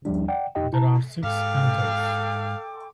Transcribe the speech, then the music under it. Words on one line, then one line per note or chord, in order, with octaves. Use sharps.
There are six anthers.
D#2 F3 G3 D4
D5 F#5 G5
F2 D#4 G4 D#5 G5
E4 A5 A#5
G#2 A4 F5 G5 D6